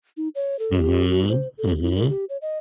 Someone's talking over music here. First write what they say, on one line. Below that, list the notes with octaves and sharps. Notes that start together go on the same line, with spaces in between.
Mhm, mhm.
D#4
C#5
A4
G4
F#4
C5
A4
E4
A#4
G4
C#5
D#5